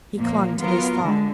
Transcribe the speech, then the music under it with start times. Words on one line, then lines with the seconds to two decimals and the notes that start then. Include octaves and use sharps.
He clung to this thought.
0.17 A#2 F3 A#3
0.59 F#3 B3 F4 A#4
1.02 D3 G#3